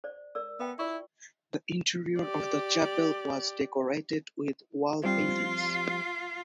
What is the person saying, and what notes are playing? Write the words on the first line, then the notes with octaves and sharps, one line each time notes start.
The interior of the chapel was decorated with wall paintings.
C5 D5
A#4 D5 E6
B3 E5 G5 A5
E4 F4 D5 C#6
G4 D5
F3 G3 C4 F4